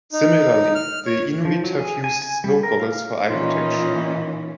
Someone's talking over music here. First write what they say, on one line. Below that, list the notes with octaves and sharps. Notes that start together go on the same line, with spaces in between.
Similarly, the Inuit have used snow goggles for eye protection.
D#4
F6
C#5
F3
F#3
G#4
G#5
G#5
G3
A#4
F5
A#2 D#3 E3 C#4 D#4 F4